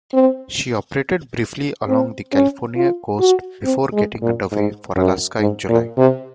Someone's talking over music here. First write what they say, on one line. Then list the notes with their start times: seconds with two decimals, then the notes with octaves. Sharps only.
She operated briefly along the California coast before getting underway for Alaska in July.
0.14 C4
1.88 C4
2.33 C#4
2.76 F4
3.20 F#4
3.65 C4
3.93 G#3
4.22 A#2
4.52 G#2
4.96 F#2
5.40 G#2
5.69 A#2
5.98 C3